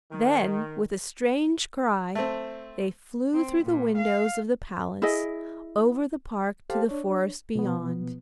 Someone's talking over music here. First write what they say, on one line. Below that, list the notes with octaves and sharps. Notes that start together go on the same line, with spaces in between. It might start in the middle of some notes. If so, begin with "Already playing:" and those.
Then, with a strange cry, they flew through the windows of the palace, over the park, to the forest beyond.
D#3
A3 C4
C4
A#2
F5
E4 G#4 D#5
G4 A4 C5 F5 A5
D4 C#5
B2 F3 B3